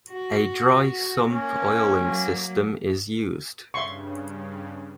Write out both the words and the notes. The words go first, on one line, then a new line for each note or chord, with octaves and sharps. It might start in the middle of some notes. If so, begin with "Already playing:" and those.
A dry sump oiling system is used.
F#4
A#3 C#4
F#3 A#3
G2 C#3 E5 C6 C#6